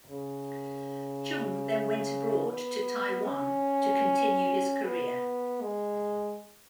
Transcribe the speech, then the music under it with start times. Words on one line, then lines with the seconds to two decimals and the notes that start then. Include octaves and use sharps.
Cheung then went abroad to Taiwan to continue his career.
0.10 C#3
2.47 B3
3.25 C#4
4.83 B3
5.62 G#3